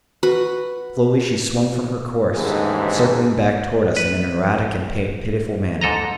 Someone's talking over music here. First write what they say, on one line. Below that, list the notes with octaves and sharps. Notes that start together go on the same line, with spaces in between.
Slowly she swung from her course, circling back toward us in an erratic and pitiful manner.
F#4 B4
A1 D#2 G#2 D3 E3 G#4
B4
G#2 A4 D#5 A#5